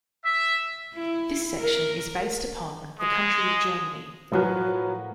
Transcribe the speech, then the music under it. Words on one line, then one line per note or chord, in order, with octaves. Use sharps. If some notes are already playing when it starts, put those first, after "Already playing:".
This section is based upon the country of Germany.
E5
E4
A#4
G#3 D#6
A2 F3 F#3 F#4 A#4 B4